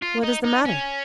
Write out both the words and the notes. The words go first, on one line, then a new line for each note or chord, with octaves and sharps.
'What is the matter?'
F4
D#4
D#4
C#4